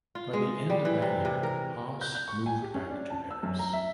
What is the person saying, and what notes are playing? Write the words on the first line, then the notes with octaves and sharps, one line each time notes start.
By the end of that year Haass moved back to Paris.
F4
G#3
G3
E3
C3
C3
A#4
G6
G6
C#6
G#5
G4
C#4
D4
A5
E6
F#2
A#5
E5